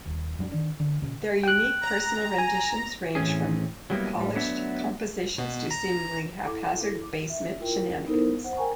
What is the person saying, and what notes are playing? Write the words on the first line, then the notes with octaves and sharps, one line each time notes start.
Their unique personal renditions ranged from polished compositions to seemingly haphazzard basement shenanigans.
D#1
F#2 F#3 D4
D#3 D4
D3
A#2 C#3
G5 F#6
A#5
G#5
A2 E3 C4 C#4 G#4
F#3 G3 A#3 B3 E4
A2 G3
F#3 A3 B3 D4 E5
B2
A#5
E4 A4 D6
E5
E4 F4 A#4 G5
B3 D#4 E4 A4 A#4 C5
C5 F#5
A#4 G5 G#5 A#5 C#6